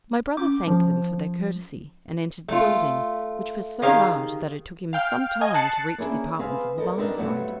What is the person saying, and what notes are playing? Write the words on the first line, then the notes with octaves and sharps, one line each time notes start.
My brother thanked them for their courtesy and entered the building, which was so large that it took him some time to reach the apartments of the Barmecide.
C#4 D6
F3
A3 F4
D#3 G4 G#4 F5
F5 G5 F6
D#5 G#5
A5 F#6 A6 C7 C#7
A#3 C#4 D4 E4 G#4 A#4
B3 C4 G#4 B4 F5
E2 A4 A#4 D#5
B3 C4 D4 A#4 D#5
G2 F#3 G3 A3 B3 C4